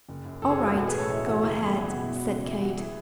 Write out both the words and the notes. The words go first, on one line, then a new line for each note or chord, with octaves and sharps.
"All right, go ahead," said Kate.
F#1
F#2
F#1 A4
G#4
E3 F#4 A4
B1 F#4 A4
G#4 B4
A2
A4 C#5
B1 E4 G#4
E3 F#4
F#1 E4 G#4
E2
F#3 G#4
B2 F#4
E4
E2
F#4
C#3
E2 E4
F#3 F#4
E4 G#4